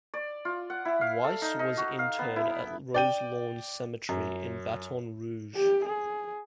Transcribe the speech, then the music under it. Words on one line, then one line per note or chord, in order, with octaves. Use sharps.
Weiss was interred at Roselawn Cemetery in Baton Rouge.
D5
F4
F#5
E4
F5
A4
D#4
D#4
F#4
F5
B3
E4
D5 G5 D#7
F#2
G4
G#4